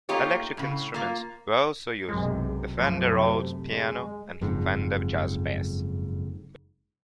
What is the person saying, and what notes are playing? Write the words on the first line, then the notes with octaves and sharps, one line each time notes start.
Electric instruments were also used, the Fender Rhodes piano and Fender Jazz Bass.
A3 A#3 D#4 F4 G4 C#5
A2 C#3
A#3 F4
B1 F#2 C3 G#3
F#2 F3 A3
C3
G#3
F#1 F2 G#2